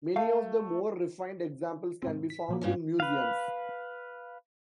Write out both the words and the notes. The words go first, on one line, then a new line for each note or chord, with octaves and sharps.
Many of the more refined examples can be found in museums.
A3 F5
G#2 C3 C4
B6
A#2 F3 A#3
G2 B3 C#4
B4 F5